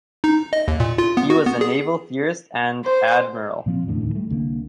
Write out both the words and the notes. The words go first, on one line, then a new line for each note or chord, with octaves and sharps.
He was a naval theorist and admiral.
D#4
D#5
D#2
A#2
F4
B3
F#4
B3
G#4
C5
A#2 F3 C4
E1 E2 A2 D3
D2 A2 D#3 E3
G3 A3
C2 D3 F#3 A#3